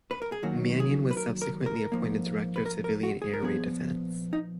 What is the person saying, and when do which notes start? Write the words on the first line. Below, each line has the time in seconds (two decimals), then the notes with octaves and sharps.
Manion was subsequently appointed director of Civilian Air Raid Defence.
0.11 B4
0.22 A#4
0.32 G#4
0.42 D#2 D#3 F#3 A#3 F#4
0.80 G#4
1.11 B4
1.17 A#4
1.42 A#4
1.66 A#4
1.92 G#2 F3 A#3
2.56 B4
2.66 A#4
2.84 A#4
3.03 F#4
3.22 G#4
3.33 A#4
3.40 A#2 F3 B3 G#4
4.33 D#4